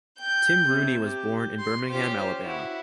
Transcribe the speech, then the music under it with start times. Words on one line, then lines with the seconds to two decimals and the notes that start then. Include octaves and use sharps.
Tim Rooney was born in Birmingham, Alabama.
0.17 G5 G6
0.68 C3
1.04 G4
1.59 C6
1.89 C#4 F4 G4 C5
2.43 E4 F#4